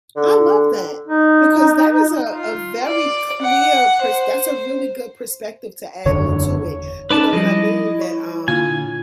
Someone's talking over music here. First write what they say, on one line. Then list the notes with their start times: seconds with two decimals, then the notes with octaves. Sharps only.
I love that because that is a a very clear pers that's a really good perspective to add on to it, you know what I mean, that, um
0.16 D3
1.08 D#4
2.34 F4
2.84 D5
3.42 F#5
4.02 C5
6.06 F#1 E2 D3 C#5
7.11 C#4 D#4 B4 D5 A5
7.33 F3 G3 E4 D#5
8.01 C#5
8.48 A#2 D3 F4 G#5